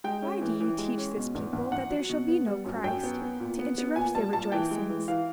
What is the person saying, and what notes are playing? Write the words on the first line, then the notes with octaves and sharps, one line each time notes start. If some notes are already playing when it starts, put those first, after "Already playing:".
Why do ye teach this people that there shall be no Christ, to interrupt their rejoicings?
G#3 G5
C#4
E3
E3
G#3
C#4
B2
E2
E2
E2 F#5
F#3
B2
B3
G3
F#2
F#2 G5
B3
B3
A#2
B3
B3
A#2 G#5
G3 A5
A#2 A5
E3 G5
G#3
E3
E3 F5